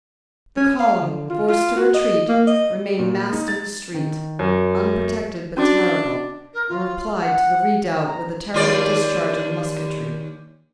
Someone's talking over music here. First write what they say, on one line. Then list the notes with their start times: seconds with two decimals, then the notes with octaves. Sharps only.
The column, forced to retreat, remained massed in the street, unprotected but terrible, and replied to the redoubt with a terrible discharge of musketry.
0.57 C#4
0.80 F5
1.00 D3
1.30 F4
1.49 F4
1.76 F#4
1.94 D#5
2.29 A#3
2.47 D#5
2.99 A#2
3.32 D#4
3.48 A6
3.94 D#3
4.39 F#2
5.57 C#4 D4 F#4 D6
6.53 A#4
6.69 F4
7.20 F#5
8.06 A#5
8.54 D#2 F4 D5